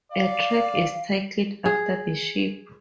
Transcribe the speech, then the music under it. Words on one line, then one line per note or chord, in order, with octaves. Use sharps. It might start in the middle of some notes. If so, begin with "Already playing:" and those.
A track is titled after the ship.
D5 F5
G#4